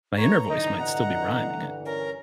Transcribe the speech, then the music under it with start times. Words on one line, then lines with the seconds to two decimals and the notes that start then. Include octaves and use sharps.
my inner voice might still be rhyming it.
0.18 A3 B3 C#5 A#5
0.50 G2 D3 E3 D#4 D#5
0.80 D#5 F#5
1.85 C#4 A#4